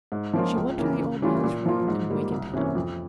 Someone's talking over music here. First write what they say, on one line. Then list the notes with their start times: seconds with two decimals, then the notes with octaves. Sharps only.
She went to the old man's room and wakened him.
0.12 G#2
0.34 F3 A#3 C#4 F4
0.56 C#2
0.78 C#3 E3 A#3 C#4
1.00 C#3
1.22 E3 G3 C#4 F4
1.43 A#2
1.66 F3 A#3 F4
1.88 G#2
2.10 G3 A#3
2.32 C2
2.53 C3 E3 A#3 C#4
2.75 F2